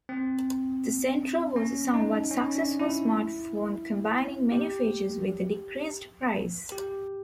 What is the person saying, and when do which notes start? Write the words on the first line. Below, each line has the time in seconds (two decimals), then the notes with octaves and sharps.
The Centro was a somewhat successful smartphone, combining many features with a decreased price.
0.09 C4
1.56 C#4
1.94 D#4
2.31 C#4
2.55 D4
2.79 E4
4.52 G4
6.72 G4